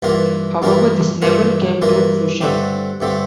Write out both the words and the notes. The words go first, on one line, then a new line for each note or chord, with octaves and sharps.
However, this never came to fruition.
G2 E3 A#3 F4 A#4
G2 E3 A#3 F4 A#4
G2 E3 A#3 F4 A#4
G2 E3 A#3 F4 A#4
G2 D3 A3 C4 G4
G2 D3 A3 C4 G4